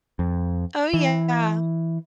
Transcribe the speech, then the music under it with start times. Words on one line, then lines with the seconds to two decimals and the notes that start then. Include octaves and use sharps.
Oh, yeah.
0.19 F2
0.94 E3